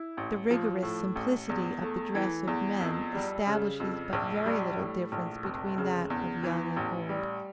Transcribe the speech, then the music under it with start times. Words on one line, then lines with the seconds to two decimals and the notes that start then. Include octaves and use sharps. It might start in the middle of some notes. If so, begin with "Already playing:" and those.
The rigorous simplicity of the dress of men establishes but very little difference between that of young and old.
Already playing: E4
0.17 A1
0.51 F3
0.83 A2
1.16 A1
1.49 E2
1.82 A3
2.15 E3
2.47 E2
2.80 F2
3.14 G3
3.47 C#3
3.80 F2
4.13 A#1
4.46 G3
4.79 A2
5.12 A#1
5.44 F1
5.78 C#3
6.10 E2
6.43 E3
6.76 A1
7.09 G3